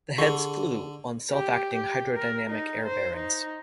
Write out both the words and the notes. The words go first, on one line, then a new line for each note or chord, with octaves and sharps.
The heads "flew" on self-acting hydrodynamic air bearings.
D3 G4 G#4
G4
G4
A#4
D#4
C5
D#4